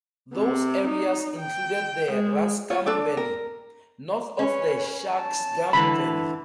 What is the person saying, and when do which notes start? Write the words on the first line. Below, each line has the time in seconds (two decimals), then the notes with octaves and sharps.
Those areas included the Raskam Valley, north of the Shaksgam Valley.
0.35 C3
0.88 D#4
1.39 G5
2.12 G#3
2.70 F4 C#5
2.86 D4 A4 D5
3.17 A#4
4.39 C#4 B4 C#5
5.11 A5
5.73 D3 E3 B5